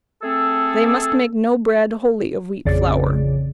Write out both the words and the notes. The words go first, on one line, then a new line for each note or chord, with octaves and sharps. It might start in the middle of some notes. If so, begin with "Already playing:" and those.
They must make no bread wholly of wheat flour.
A3 C4 G#4 A4
A1 F2 C#3 D5